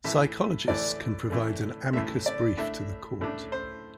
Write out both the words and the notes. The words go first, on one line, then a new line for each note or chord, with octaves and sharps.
Psychologists can provide an amicus brief to the court.
A2 E3 A3 E5
A2 E3 A3 D5
A2 E3 A3
A2 E3 A3 E5
D5
A2 A3 D4 E5
A2 A3 D4
C5